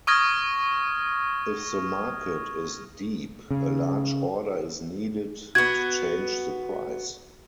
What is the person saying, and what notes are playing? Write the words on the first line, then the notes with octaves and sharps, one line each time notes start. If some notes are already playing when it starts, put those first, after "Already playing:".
If the market is "deep", a large order is needed to change the price.
C#6 D#6 F6 G#6 A#6
C#3
B3 F#4 G#6